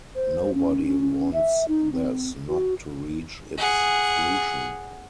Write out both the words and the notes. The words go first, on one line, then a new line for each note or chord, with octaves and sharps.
Nobody wants this not to reach its fruition.
C5
C#4
C#4
E5
D#4
C4
F#4
G#4 F#5